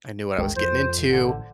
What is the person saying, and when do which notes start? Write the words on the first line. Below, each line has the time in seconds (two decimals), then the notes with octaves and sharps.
I knew what I was getting into.
0.38 G1 C#2 D#3 G#3
0.56 F2 C5
1.05 A1 D3